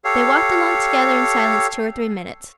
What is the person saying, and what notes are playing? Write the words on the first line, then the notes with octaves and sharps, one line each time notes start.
They walked along together in silence two or three minutes.
G4 A4 C#5 F5